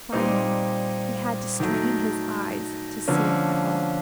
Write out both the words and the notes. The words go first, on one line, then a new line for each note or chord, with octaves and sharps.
Finally he had to strain his eyes to see it at all.
A#2 G3 C4 D#4
D#3 F#3 A3
D3 F3 A#3 C#4